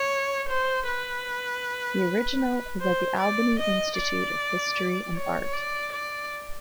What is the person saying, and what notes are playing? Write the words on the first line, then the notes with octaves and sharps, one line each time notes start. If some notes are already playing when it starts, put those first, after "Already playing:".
The original is at the Albany Institute of History and Art.
Already playing: C#5
C5
B4
C5
D5
D#5
D5
C#5
D5
D5